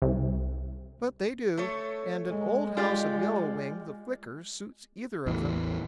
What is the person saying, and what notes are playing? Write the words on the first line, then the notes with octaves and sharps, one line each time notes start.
But they do, and an old house of Yellow Wing the Flicker suits either of them.
C2
A3 A4 C#5
G#3
F4 G4 D5
A1 E2 E3